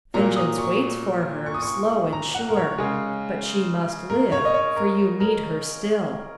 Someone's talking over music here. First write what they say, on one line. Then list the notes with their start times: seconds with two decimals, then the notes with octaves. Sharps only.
Vengeance waits for her, slow and sure; but she must live, for you need her still.
0.14 A#2 F#3 A#3 A#5
0.36 D#6
0.58 C#6
1.46 C#6
1.54 D#6
1.62 C#6
2.13 A#5
2.35 F#5
2.49 A#4
2.57 C#5
2.78 C#3 G#3
4.10 A#4
4.32 C#5
4.45 D#5
4.54 C#5
4.76 A#4
5.20 A#4